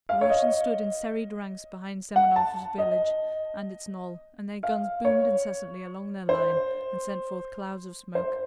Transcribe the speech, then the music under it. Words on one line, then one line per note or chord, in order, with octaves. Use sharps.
The Russians stood in serried ranks behind Semenovsk village and its knoll, and their guns boomed incessantly along their line and sent forth clouds of smoke.
F5
C#5
D#5
F#5
A5
D#5
F5
C#5
C5
C5